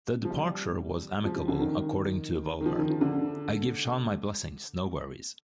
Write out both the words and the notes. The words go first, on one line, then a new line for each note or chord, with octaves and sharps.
The departure was amicable according to Vollmer: I give Sean my blessings, no worries.
F3
G3
F3
F3
D3
D#3
D#3
F3
D#3
F3
D3